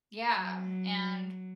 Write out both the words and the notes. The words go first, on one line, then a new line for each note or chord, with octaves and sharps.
yeah, and
F#3